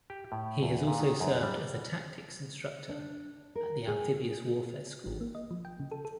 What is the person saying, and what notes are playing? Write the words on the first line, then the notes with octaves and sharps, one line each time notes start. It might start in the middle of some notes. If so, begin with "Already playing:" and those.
He has also served as a tactics instructor at the Amphibious Warfare School.
G4
A2
E2
A#2
D#3
F#2
G3
D4
A#4
G#4
G#1
A#3
D#5
F3
G5
C#3
A4
A4